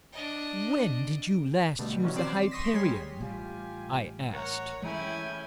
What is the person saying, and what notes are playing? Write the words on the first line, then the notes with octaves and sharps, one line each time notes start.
"When did you last use the Hyperion?" I asked.
D4 D#5
B2 D3 G3 A3
D#3 E3 F#3 C#4
C4 D5 D6 C7 E7
C7
C6 C#6 D#6 A#6 B6
G3 G#3 C#5 C6 B6
A1 G3 F4 G4 G#5
A#4 C#5 F#5 A#5
A2 E3 G#3 C#4 E4 G5 G#5